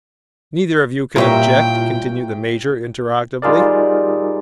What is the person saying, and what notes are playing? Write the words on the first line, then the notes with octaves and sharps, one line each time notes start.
"Neither of you can object?" continued the major, interrogatively.
A#2 G3 E4 F4 A#4 C#5 E5 G5
G3 D#4 F4 G#4 A#4 D5